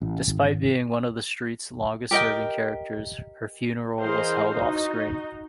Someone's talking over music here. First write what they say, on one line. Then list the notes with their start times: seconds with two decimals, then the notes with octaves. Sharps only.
Despite being one of the street's longest serving characters, her funeral was held off-screen.
0.02 A1
0.28 G#1
2.11 G4 A#4 D#5 G5
4.01 E3 G#4 A#4 C5 D#5 F5
4.51 D#4 F#4 D#5